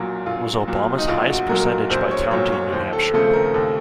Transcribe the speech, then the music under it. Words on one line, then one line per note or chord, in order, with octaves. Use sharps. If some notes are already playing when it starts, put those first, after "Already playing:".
It was Obama's highest percentage by county in New Hampshire.
Already playing: A#1 A#2 F#3
A#1 F4
A#2 F#3
D#4
A#1 F4
F#4
A#2 F#3 A#4
A#4
A#1 C5
C#5
A#2 F#3 C#5
C#5
D#2 C5
A4
C#3 F3 A3 C4 A4
A#4
D#2 A4